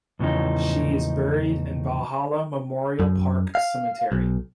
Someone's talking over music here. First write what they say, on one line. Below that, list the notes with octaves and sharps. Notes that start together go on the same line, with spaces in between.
She is buried in Valhalla Memorial Park Cemetery.
E2 A2 C#3 F3 D#4
F#2
F5
B1